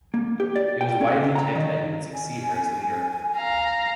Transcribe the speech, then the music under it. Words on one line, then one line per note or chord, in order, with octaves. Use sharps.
It was widely tipped that he would succeed her as leader.
A#3
G4
D5
G5
C#4
A#5
D#3
G#5
F5 A#5